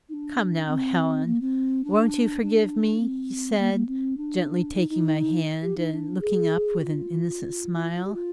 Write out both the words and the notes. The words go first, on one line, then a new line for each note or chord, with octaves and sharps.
Come now, Helen; won't you forgive me?' he said, gently taking my hand, and looking up with an innocent smile.
D#4
D4
C4
A#3
C4
D4
D4
C4
A#3
A#3
C4
D4
D#4
D#4
G4
D#4
D4
G#4
G4
F4
F4
G4
F4